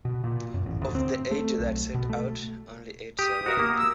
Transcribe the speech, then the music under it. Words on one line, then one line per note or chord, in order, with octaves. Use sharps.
Of the Eighty that set out, only eight survived.
B2
A#2
F#2
A1
D2
C4
A3
B1
B2
A3
G4 D#6
F#4 A#4 E5
A#3
E6